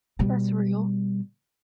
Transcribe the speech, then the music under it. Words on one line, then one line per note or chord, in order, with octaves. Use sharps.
that's real.
B2 G3